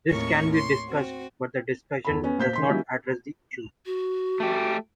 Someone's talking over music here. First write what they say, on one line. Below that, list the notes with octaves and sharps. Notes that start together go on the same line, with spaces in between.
This can be discussed, but the discussion does not address the issue.
D#2 A2 C4 A#4 C#5 C#6
C#5 C6
C4 F#4
E2 A4 B5
B3 C#4
A#2 C5 G6 B6
D#3 C6 B6
D#3 F#3 G3 A#3 C#4 E4
F#4
A3 G4